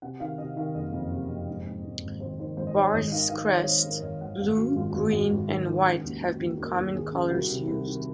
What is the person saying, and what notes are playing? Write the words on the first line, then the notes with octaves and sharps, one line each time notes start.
Bar this crest, blue, green and white have been common colours used.
C3 F#5
D#3 F5
C3 D#5
D#3 F5
F#1 D#5
F2
C3
F2
G#2
G#2
G#2
G#1
G#1 C5
D#3 C5
G#1 C5
D#5
D#3 C#5
G#1 D#5
D#3 F5
D#3 F5
D#3 C#5
D#3 C5
G#2 A#4
C#5
G#1 D#5
G#1 F#5
G#1 F5
F#2 F#4
G#1 F4
F#4
G#1 F4
G#1 F#4
G#1
D#3
D#3
C#3
D#2
D#2
D#2
D#2 A#4
D#2
D#2 G#4
C#3
C2 F#4
C3
C2
D#3